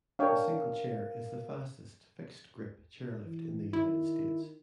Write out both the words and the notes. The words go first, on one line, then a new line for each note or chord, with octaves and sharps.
The Single Chair is the fastest fixed-grip chairlift in the United States.
D4 A#4 C#5 F5 G5
E3
D#3 E4